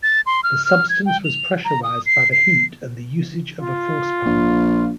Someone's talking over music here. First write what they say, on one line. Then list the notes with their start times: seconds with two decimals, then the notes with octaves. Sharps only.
The substance was pressurized by the heat and the usage of a force pump.
0.03 A6
0.26 C6
0.44 F6
0.65 F6
0.89 G#6
1.06 G5
1.25 F7
1.65 A#5
1.83 D#6
2.06 C7
2.32 C7
3.62 F4
4.26 A#1